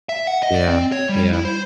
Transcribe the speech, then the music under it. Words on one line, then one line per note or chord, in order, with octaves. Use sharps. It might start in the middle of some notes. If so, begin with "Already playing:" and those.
Yeah. Yeah.
E5
F#5
D#5
D5
C4
C#5
G3
E4
C5